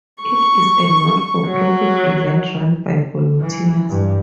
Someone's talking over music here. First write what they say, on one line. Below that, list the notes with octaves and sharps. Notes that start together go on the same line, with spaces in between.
It is a not for profit event run by volunteers.
C#6
F#3
E3
G2